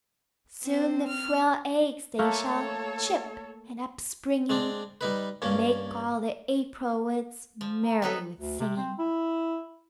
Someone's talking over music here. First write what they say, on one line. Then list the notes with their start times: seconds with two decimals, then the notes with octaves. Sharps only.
Soon the frail eggs they shall Chip, and upspringing Make all the April woods Merry with singing.
0.65 C4 C5
1.07 F6
2.19 A3 A#3 A4 C#5
4.49 G#3 C4 D4
5.01 G3 D#4 B4
5.42 G2 A#3 C#4
7.61 F3
7.84 A#5
8.02 B3 C4 D#4 A4 B4
8.40 D2
8.60 C3
8.77 C4
8.99 E4